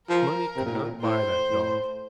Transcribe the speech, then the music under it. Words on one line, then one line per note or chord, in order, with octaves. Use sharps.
Money could not buy that dog.
F3 A#4
C3
A#2
A2
A#2
A2 C5
A2